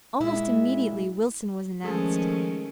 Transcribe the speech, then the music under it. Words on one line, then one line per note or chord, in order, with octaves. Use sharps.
Almost immediately Wilson was announced.
A#2 G#3 E4 E5
D#3 F3 G#3 A3 C#4 G#4 A4